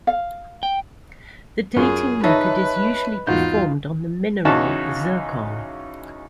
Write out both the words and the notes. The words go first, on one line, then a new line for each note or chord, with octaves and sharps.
The dating method is usually performed on the mineral zircon.
F5
G5
F#2 F4 G#4
D#4 B4 C#5 E5 A5
E2 G#2 F4 F#4 G6
E2 C#3 C#4 D#4 F#4 A5